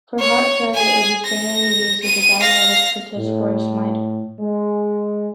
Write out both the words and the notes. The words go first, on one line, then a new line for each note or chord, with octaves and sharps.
For heart failure it is generally used with a diuretic such as furosemide.
C#5
G#4 G#5
A#6
D#7
F5 A#6
A2
G#3